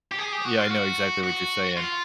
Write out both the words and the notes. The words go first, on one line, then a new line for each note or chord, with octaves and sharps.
Yeah, I know exactly what you're saying.
G4
G#4
G4
F#4
F4
F#4
F#4
F4